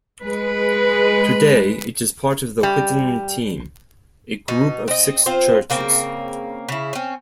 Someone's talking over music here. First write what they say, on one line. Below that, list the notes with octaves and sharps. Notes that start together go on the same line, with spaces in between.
Today it is part of the Whitton Team, a group of six churches.
G#3 B4
G3
B2 D#4
C4 D#5
C4 F4 C5
C#3 A#3 C4
C#3 E4
C4 C#4